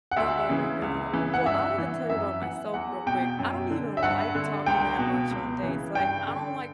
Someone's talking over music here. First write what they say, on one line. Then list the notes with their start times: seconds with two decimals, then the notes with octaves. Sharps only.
Oh my god. Well, I wanna tell you about myself real quick, I don't even like talking that much on dates, like, I don't like
0.11 F#5
0.16 D2 E5
0.49 C#3 E3
0.82 C#2
1.13 C#3 E3
1.34 F#5
1.45 G2 E5
1.78 E3
2.10 F#2 E5
2.42 E3 F#5
2.74 E2 F#5
3.06 B2 G5
3.39 F#2
3.70 D3
3.97 E5
4.03 G2 F#5
4.35 D3
4.66 C#2 G5
4.99 B2
5.31 C#2
5.63 C#3 E3
5.95 G2 G5
6.28 D3